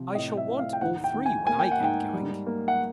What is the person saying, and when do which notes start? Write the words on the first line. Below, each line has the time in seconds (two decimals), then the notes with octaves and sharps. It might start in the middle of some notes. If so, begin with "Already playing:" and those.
I shall want all three when I get going.
Already playing: C3 F3
0.15 A2 D#5
0.37 E5
0.48 A2
0.59 F5
0.73 G5
0.81 D#2 F#5
1.04 G5
1.14 D#2
1.26 G#5
1.47 A#3 G#5
1.59 G5
1.72 F#5
1.80 G#2 G5
2.13 G3
2.47 A#3
2.68 F#5